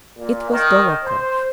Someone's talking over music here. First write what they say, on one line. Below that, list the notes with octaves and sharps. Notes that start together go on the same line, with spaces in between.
It was Dolokhov.
A#2
D#3
C5